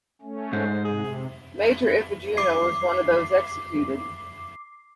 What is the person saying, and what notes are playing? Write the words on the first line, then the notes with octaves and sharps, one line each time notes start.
Major Ifejuna was one of those executed.
A3 C#4
G#2 C5
C3 G#4
D6 C7